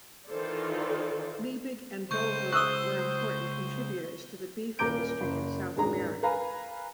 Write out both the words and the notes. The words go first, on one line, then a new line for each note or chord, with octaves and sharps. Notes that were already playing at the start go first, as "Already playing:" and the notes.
Liebig and Bovril were important contributors to the beef industry in South America.
D#3 E3 F4 A4 C5 D5
C#2 C5 C#6 G6
C#6 D#6 E6 F#6 G7
D#1 A#3 A#5 D6 G6 D7
F#1
D#1 G#2 D4 G#4 D5 A#5
A#4 B4 F5 G#5 A#5 B5